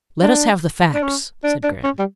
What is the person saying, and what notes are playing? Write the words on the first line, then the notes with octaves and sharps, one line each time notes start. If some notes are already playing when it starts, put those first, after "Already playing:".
"Let us have the facts," said Graham.
D4
D4
C#4
D4
D4
C#4
G3